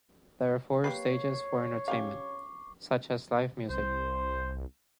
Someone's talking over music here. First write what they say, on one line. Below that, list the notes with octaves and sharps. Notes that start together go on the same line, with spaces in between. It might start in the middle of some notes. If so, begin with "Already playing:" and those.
There are four stages for entertainment such as live music.
A#3 G4 B4 C#5 C7
C#4 G4 F5 C#6 D6
C2 C5